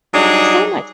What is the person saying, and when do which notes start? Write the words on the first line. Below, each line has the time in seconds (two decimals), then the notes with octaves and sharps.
so much.
0.12 F#3 G3 D4 D#4 G#4